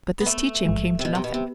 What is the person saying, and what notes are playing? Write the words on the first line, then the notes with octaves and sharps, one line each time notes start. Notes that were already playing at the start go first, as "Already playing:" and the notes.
But this teaching came to nothing.
B3
A3
A1 G#2 F3 G#3
C3
B2
C3
B2
C3